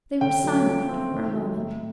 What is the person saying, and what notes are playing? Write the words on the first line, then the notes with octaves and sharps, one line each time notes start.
They were silent for a moment.
D3 G5
F#3 A3 C#4
F3
A3 C4
D#3
F#3 A3
A2